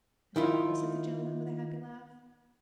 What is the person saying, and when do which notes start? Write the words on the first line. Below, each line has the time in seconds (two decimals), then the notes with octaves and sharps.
"Is that all?" said the gentleman with a happy laugh.
0.36 D#3 E4 F4